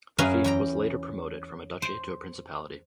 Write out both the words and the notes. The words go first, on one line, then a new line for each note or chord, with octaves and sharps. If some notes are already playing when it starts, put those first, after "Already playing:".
The fief was later promoted from a duchy to a principality.
F#2 C#4 G#4 A#4 B4 F5
E2 G5 A#5
C5